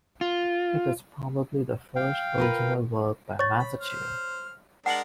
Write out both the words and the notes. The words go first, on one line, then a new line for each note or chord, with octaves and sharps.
It is probably the first original work by Masaccio.
F4
F5 G5
F4 A#4 B4
C#5 C#6 A6
B5
C5 F6
G#3 D4 A#4 F#5 A5 C#7 F#7